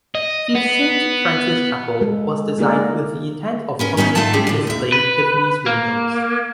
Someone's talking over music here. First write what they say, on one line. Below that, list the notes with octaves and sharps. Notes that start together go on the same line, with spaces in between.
The Saint Francis Chapel was designed with the intent of prominently displaying Tiffany's windows.
D#5
B3
G#3 A4
A3 A#3 D#4 G#4 A#4 D5
B3 C#4 A#4
B3 C#4 D#4 E4
G#2 A3 F4 E5 F#5 A5
C#4 F4 G4 G#4
A2 D3
D#2 E5
B4
A#3